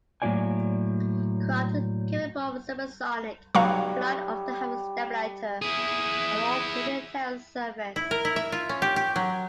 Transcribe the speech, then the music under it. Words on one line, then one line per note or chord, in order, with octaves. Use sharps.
Craft capable of supersonic flight often have a stabilator, an all-moving tail surface.
A2 F#3 A#3 F4 D5 G#5
B1 F#3 G3 F5 A#5 C#6
E4 G#4
E4
A#4
E4
E5
F4
C#4
G4
G4
F#3